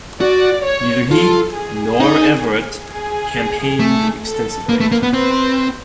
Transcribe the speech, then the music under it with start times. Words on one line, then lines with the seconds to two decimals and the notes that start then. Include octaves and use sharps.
Neither he nor Everett campaigned extensively.
0.21 F#4 D5
0.66 C#5
1.11 F4 A4
1.55 G#4
2.00 D#4
2.90 G#4
3.79 A3
4.24 A4
4.69 A#3 B4
4.80 A3
4.92 A#3
5.03 B3
5.14 C4 B4